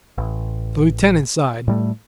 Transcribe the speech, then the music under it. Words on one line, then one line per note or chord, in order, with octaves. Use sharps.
The Lieutenant sighed.
A1
A2 G3 A3